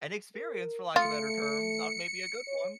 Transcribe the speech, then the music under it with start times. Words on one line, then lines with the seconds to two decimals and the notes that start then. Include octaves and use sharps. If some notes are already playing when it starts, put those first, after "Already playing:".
an experience for lack of better terms, not maybe a good one.
0.35 A#4
0.96 A3 F4 C#7
2.48 C#5